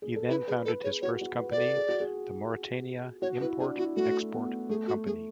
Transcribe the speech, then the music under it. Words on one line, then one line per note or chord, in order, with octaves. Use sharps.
He then founded his first company, The Mauretania Import Export Company.
G#4
A4
E4 B4
G#4 B4
A4 B4
G#4 C#5
F#4 C#5
F#4
B4
D5
A4
G#4
F#4
G#4
F#4 C#5
E4 B4
D4 G#4
E4 F#4
A3 F#4
B3
A3 G#4
F#4
A3 G#4